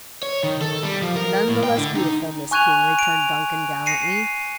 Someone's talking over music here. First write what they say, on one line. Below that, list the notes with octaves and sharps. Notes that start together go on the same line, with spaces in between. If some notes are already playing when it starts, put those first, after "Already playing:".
"None the less beautiful, Miss King," returned Duncan gallantly.
C#5
D#3
A4
G3
F3
A#4
A2
G5
D3
D#4
G#5 C#6 F#6 G#6 D#7 F7
D7 F7
A#6 C7 C#7 D#7